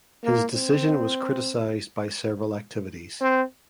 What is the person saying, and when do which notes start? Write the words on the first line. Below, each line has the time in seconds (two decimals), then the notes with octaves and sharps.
His decision was criticised by several activities.
0.24 A#3
0.54 C4
3.21 C4